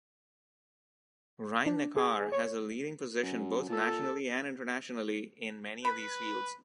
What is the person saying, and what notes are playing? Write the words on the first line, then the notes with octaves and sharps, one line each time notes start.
Rhine-Neckar has a leading position both nationally and internationally in many of these fields.
D4
G#4
C#5
F#2
A#2 A4
B4 B5